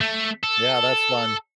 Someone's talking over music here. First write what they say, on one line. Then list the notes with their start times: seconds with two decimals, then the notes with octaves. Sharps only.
Yeah, that's fun.
0.01 A3
0.43 A4